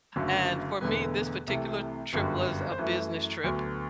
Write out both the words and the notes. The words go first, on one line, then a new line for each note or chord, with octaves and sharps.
And for me, this particular trip was a business trip,
F#1 F#2 D3 F#3 A3
E1 E2 D3 A3 B4
C2 C3 E3 A3
G1 F#2 D3 G3
C5
F#2 E3 A3 B4
D2 D3 F#3 B3